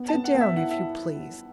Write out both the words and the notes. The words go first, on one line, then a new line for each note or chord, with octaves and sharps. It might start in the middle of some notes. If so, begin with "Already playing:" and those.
Sit down, if you please.
Already playing: B3
A5
B3
F#5
B3
E5
E4 F#5
E5